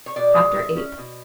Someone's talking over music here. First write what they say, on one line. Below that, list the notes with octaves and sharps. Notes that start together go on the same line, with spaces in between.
Chapter VIII.
C#5
B2 D5
G#3
E4
C#4
B2